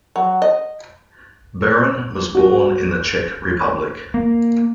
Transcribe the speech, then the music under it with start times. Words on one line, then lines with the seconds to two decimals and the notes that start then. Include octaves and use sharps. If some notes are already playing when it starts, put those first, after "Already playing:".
Beran was born in the Czech Republic.
0.16 F#3
0.42 D#5
2.35 F#4
4.14 A#3